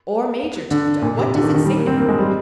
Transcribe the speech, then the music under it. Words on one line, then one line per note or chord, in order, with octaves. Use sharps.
"Or Major Tifto;--what does it signify?"
D3
A#2
C3
D3
D#3
D#3
G3
A#3
C4
A#3
G#3
G3